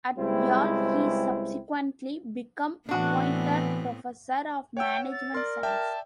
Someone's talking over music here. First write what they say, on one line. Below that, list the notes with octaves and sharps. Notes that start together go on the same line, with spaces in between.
At Yale he subsequently became appointed Professor of Management science.
C#2 G3 G#3 C4 E4 C5
A2 E3 B3 C4 D4 F#4
C#5 F#5 G5 E6
A6
A#4 D5 C6
D5 E5 G5 A5